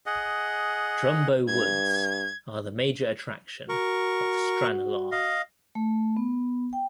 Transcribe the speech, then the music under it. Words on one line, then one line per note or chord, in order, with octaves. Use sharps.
Drumboe Woods are the major attraction of Stranorlar.
G#4 D#5 F#5
G2 G#6
F#4 A#4 C#6
D#5 F5
A3
B3
G5